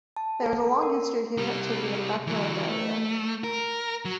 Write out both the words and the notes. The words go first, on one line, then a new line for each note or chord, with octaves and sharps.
There is a long history of human activity in the Machynlleth area.
A5
A4
A#4
C2 G3
E3 F#3
A3
A#4
F#3